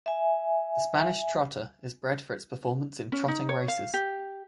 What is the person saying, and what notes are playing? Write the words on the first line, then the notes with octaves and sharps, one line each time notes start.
The Spanish Trotter is bred for performance in trotting races.
E5 G#5
C#4
D#4
C#5
F5
G4